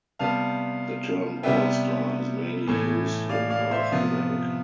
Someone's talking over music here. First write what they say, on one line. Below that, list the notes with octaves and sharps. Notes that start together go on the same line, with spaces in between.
The term "all-star" is mainly used in North America.
C3 G3 B3 F5 A5
C3 G3 B3 E5 G5
A2 E3 A3
D5 F5
D5 F5
C5 E5
C3 F3 B3